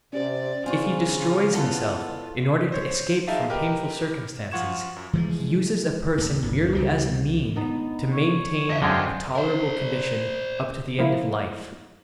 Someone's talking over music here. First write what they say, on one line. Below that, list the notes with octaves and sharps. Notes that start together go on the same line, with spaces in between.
If he destroys himself in order to escape from painful circumstances, he uses a person merely as a mean to maintain a tolerable condition up to the end of life.
C3 C#4 G4 C5 D5
C#3 C4 D4 F4 G#5 C#6
B3 E4 A4 F#5 A5
C5 C#5
D#4 F4 G#4 E5 F5 A5
G4 A#4 B4 D#5 G5
F3 F4 F#5 C#6 G#6 E7
F#2
E3 F3 G#3
D1 D#2
G1 D#2
C#2 C#3 G3
B3 D#4
C#5
E2 D#5 E5
F#2 D3 G#3 C4 F4
A#4 C5
F3 A#3 E4